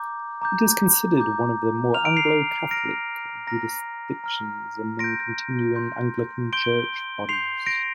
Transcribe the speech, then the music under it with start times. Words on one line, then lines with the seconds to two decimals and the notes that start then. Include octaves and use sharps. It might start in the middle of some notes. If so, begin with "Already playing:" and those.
It is considered one of the more Anglo-Catholic jurisdictions among Continuing Anglican church bodies.
Already playing: A#5 D6 G6
0.42 A#5 D6 G6
1.18 A#5 D6 G6
1.94 A#5 F6 F7
2.05 D7
2.17 C7 F7
2.71 A#5 F6 A#6 D7
3.47 A#5 F6 A#6
4.24 A#5 F6
4.99 C6 G6 A#6 D7
5.76 C6 G6
6.53 C6 G6 D7 G7
7.29 C6 G6 C7 F7
7.67 A#6 D7